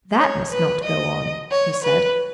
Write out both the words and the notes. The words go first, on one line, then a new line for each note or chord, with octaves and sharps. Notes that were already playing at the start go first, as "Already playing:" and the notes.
"That must not go on," he said.
C#5
B4
D#5
C#5
B4